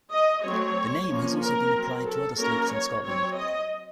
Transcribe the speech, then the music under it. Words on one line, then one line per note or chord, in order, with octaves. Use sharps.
The name has also been applied to other slopes in Scotland.
D#5
F#3 A3 C4 C#5
F3 A#3 C#4
A#4
F#3 C4
A4
F#3 A#3 C#4 A#4
C#5
F#3 C4 C#5
D#5